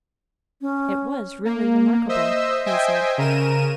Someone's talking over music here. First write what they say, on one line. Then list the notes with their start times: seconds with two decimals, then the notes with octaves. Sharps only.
"It was really remarkable," he said.
0.61 C#4
1.45 A#3
2.09 C5 D#5 E5 E6
2.66 C5 D#5 E5 G5 G#5
3.18 C#3 A#4 D#7 E7